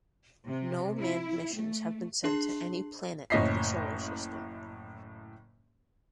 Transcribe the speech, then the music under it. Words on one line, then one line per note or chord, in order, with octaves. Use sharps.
No manned missions have been sent to any planet of the Solar System.
C3
E4
A3
D4 G#4 A5 C6
F#1 A2 C#5 D#5 B6 C7